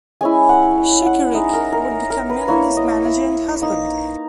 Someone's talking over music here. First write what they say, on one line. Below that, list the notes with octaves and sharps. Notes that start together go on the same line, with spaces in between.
Schekeryk would become Melanie's manager and husband.
G#3 C#4 E4 G#5
F#5
E5
F#5
G#3 D#4 E5
A#4
A#4
A#4
A#4
B4
A#3 E4 C#5
D#5
E5
A#3 D#4